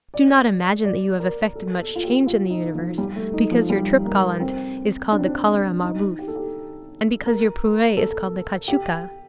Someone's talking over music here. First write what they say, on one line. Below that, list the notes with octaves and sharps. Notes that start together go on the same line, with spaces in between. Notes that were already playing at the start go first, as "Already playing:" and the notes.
Do not imagine that you have effected much change in the universe, because your trip-gallant is called the cholera-morbus, and because your pourree is called the cachuca.
D5
D5
A#4
A4
A4
F4
G4
F4
D#4
F3
G3
A3
D#4
F3
G3
A#3
C4
D4
C4
D4
D#4
G4
A4
G4
A#4
A4
G4